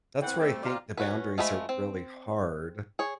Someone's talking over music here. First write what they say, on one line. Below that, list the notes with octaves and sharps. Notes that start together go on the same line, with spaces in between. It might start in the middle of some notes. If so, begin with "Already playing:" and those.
that's where, I think, the boundaries are really hard,
E3 C4 F#5 G5
G3 A3 D6 E6
F4 D5 F5 A#5
C#4 F#4 B4
F3 G#3 A3 B5
C4
G#4 C#5